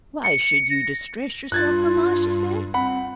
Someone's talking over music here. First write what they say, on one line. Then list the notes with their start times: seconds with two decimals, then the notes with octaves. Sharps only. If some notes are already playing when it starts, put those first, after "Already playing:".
'Why should you distress yourself, mamma?' she said.
0.24 C#7
0.70 A#6
1.52 G2 F4 F#6 G#6 A6
2.74 C4 F#5 B5